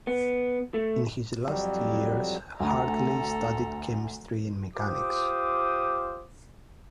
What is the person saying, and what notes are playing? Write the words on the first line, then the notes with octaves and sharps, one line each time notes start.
In his last years, Hartley studied chemistry and mechanics.
B3
A3
F2 F#3 G3
D2 A4 A#5
F4 G4 C5 D6 D#6